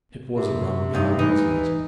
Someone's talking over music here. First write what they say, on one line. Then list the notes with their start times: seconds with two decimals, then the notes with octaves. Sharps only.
It was a rum go, wasn't it?
0.36 C3
0.94 C2 G2 D#4
1.19 E3 D#4